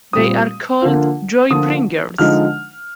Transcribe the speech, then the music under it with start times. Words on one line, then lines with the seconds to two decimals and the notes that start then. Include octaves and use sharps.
They are called "joy bringers".
0.13 A#2 G3 C4 D#6
0.82 D3 F3 A#3 F4
1.50 D3 F3 A#3 F4 D#6
2.18 D3 F3 G#3 D#4 F6